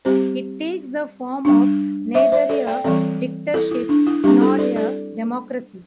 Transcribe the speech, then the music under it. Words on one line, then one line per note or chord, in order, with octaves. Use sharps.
It takes the form of neither a dictatorship nor a democracy.
G3 C4 G4 C5
G3 D4
C5 E5
C5 E5
A4 D5
D5 G5
E3 G3 C4 A4 D5
E4 A4
E4
D4
E4
G3 C4 D4 G4
E4 A4
A4 D5
A4 D5